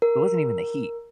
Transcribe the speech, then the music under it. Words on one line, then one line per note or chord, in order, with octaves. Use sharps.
it wasn't even the heat.
A#4